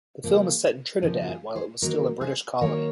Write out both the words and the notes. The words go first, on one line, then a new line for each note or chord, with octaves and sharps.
The film is set in Trinidad while it was still a British colony.
C#3 F3 A#3
C#3 F3 A#3 C#4
F#4
F4 G#4
G#4 C5
D#3 F#3 A#3 F#4 A#4
G#4 C5
D#3 F#3 A#3 A#4 C#5